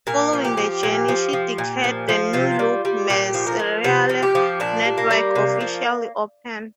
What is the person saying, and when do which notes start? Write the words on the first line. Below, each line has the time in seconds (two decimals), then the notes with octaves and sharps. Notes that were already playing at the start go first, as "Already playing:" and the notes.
Following the journey, she declared the new-look Merseyrail network officially open.
0.07 A#2 A#4
0.33 F3
0.45 G4
0.57 F3
0.83 A#2
1.08 F3
1.33 F3
1.58 A#2
1.84 F3
2.09 F3
2.33 C3 F4
2.59 G3
2.85 G3
3.10 A#2 G4
3.34 F3
3.47 A#4
3.59 F3
3.84 C3 C5
4.09 F3
4.23 G4
4.35 F3
4.60 A#2 D4
4.85 G3
4.98 A#3
5.11 G3
5.36 C3
5.61 F3